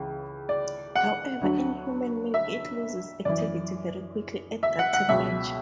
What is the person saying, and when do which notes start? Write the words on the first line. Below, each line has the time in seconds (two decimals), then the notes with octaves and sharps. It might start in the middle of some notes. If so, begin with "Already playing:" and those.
However, in human milk it loses activity very quickly at that temperature.
Already playing: C#2 C#3 E3
0.49 D5
0.96 F#5
1.41 D2 D3 F#3
2.34 E5
3.25 F#2 E3 D5
4.63 E5
4.79 F#5
4.93 F#5
5.09 C#2 B2 F#3 E5